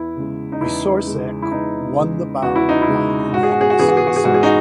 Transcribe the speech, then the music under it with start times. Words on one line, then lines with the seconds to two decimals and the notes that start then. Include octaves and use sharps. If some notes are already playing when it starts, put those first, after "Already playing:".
Wieczorek won the bout by unanimous decision.
Already playing: E2 E4
0.16 C#3 G#3
0.52 D#4
0.61 E2 E4
1.07 C#3 G#3
1.42 E4
1.51 E2 D#4
1.97 C#3 G#3
2.42 E2 F#4
2.56 E4
2.69 D#4
2.82 E4
2.88 C#3 G#3
3.33 G#2 F#4
3.43 G#4
3.52 F#4
3.61 G#4
3.70 F#4
3.79 E3 B3 G#4
3.88 F#4
3.97 G#4
4.07 F#4
4.16 G#4
4.24 G#2 F#4
4.34 G#4
4.43 D#4 F#4